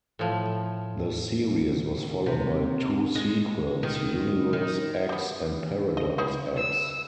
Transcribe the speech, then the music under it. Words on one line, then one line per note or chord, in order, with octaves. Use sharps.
The series was followed by two sequels, Universe X and Paradise X.
A2 F3
C3
G#3
D#3
D#3
G3 B3
D#5
D#4 E4 G#4
E6